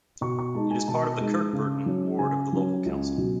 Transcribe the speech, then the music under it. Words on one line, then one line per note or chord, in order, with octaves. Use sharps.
It is part of the Kirkburton ward of the local council.
B2 C#6
C#6
G#3 D#4 A5
G#5
B2 A5
G#3 D#4
C#3
F#3 C#4
C#3 G#5
F#3 C#4
C#2
B2 F#3